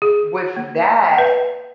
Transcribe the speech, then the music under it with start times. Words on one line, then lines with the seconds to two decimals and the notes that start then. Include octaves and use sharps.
with that,
0.02 G#4
0.57 A#3
1.18 B4